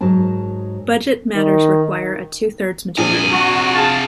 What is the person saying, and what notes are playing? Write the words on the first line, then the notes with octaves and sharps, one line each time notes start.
Budget matters require a two-thirds majority.
G#2 F#3 A#4 A5
D#3
A#1 C3 G#5
F#4
G#4 F5 A5